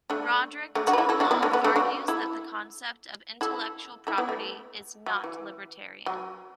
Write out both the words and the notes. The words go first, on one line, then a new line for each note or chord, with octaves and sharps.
Roderick T. Long argues that the concept of intellectual property is not libertarian.
A3 D4
A3 D4
D4 F#4
B4
E4 A4
E4 A4
D4 F#4
B3 E4
A3 D4
B3
A3 D4
D4 F#4
E4 A4
E4 A4
E4 A4
B3 E4
A3
F#3
E3
F#3